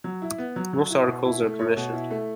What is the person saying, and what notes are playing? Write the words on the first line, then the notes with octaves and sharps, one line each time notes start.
Most articles are commissioned.
F#3
E4
B3
F#3
F#3
E4
B2
E4
A3
C#5
B2
E4
A3